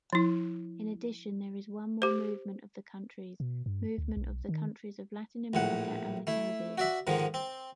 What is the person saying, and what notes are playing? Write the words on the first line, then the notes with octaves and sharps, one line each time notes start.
In addition there is one more movement of the countries - movement of the countries of Latin America and the Caribbean.
F3 E4
G4 C5
B2
G2
D2
B1
D#3
A#1 A2 F#5
A3 E4
F#4 D5 E5
G#2 D3 D#3 F3
C4